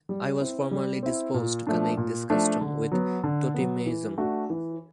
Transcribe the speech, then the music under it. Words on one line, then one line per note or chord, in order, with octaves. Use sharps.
I was formerly disposed to connect this custom with totemism.
G3
C4 E4
G3
C4 E4
A#2
F3 A3 D4
A#2
F3 A3 D4
D3
F#3 B3
D3
F#3 B3
E3
A3 D4 F#4
E3